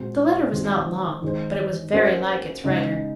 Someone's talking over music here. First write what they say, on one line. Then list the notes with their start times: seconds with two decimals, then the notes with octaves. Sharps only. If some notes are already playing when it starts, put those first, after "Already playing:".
The letter was not long, but it was very like its writer.
Already playing: A#2 G#3 C4 F#4 C5
0.51 D#3 G#3 C4 F#4 C5
1.22 D#3 G#3 D#4 G#4 C5
1.93 A#3 C#4 F#4 C5
2.64 C#3 G#3 D#4